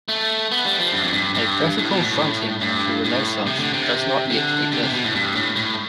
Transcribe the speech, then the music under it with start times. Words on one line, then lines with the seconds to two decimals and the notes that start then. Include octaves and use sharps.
A graphical frontend to Renaissance does not yet exist.
0.08 A3
0.52 B3
0.65 G3
0.80 F3
0.93 G2
1.04 F2
1.13 G2
1.35 G2
1.78 A2
1.90 B2
2.03 A2
2.62 G2
3.04 A2
3.47 C3
3.59 D3
3.73 C3
4.31 D3
4.73 C3
4.83 C3
4.93 B2
5.04 A2
5.15 G2
5.36 A2
5.56 A2